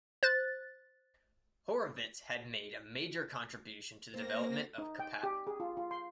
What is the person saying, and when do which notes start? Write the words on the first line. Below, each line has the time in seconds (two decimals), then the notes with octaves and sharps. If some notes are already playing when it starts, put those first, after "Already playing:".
Horovitz had made a major contribution to the development of Kapap.
0.23 C5 F#6 A6
4.14 A#3 C4 A#6
4.78 D#4
4.99 G5
5.23 G4
5.47 G#4
5.60 F4
5.77 F4
5.91 C6